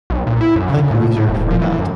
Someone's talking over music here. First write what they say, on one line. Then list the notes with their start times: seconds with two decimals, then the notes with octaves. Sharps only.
Thank Weezer for that.
0.10 B1
0.27 A#2
0.41 E4
0.56 F#2
0.70 C#3
0.91 A2
1.16 A2
1.29 E1
1.51 F3
1.62 E3
1.79 F#2